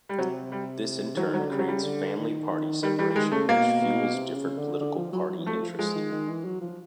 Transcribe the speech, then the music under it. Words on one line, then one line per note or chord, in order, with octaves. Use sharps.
This in turn creates family-party separation which fuels different political party interest.
G3
C3 F#3
G3
E3 F#3
D#3
F#3
D3
C#3 G3
F#3
G3
D3
D#3
D#3
D#3 G3
E3 G3
G3
D#3 G#3
C#3 A3
B2 A#3
B2
C3
C#3
D3
D3
F3
F#3
F#3
E3
F3 A3
F3
F3 G#3
D#3
D#3
E3
F#3
F3